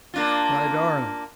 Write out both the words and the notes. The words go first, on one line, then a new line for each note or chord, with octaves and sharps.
My darling!
A#3 D4 F4